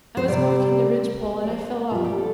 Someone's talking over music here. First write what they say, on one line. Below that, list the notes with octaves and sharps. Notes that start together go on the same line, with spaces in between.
I was walking the ridgepole and I fell off.
C5
C3 G3 D5
D5
C5
B2 G3 F4
G4
A4